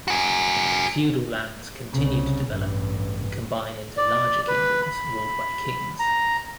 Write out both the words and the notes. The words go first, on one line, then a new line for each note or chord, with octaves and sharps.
Feudal lands continued to develop and combine into larger kingdoms ruled by kings.
F#4 G#4
C2 C#3
A1 G2
D5
B4
B5
A#5